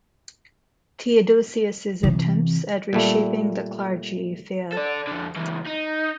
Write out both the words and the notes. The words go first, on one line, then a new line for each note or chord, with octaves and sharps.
Theodosius's attempts at reshaping the clergy failed.
C3 E3
A#2 G3 A3
A4 D5
F2 D3
C#2 E3
D#4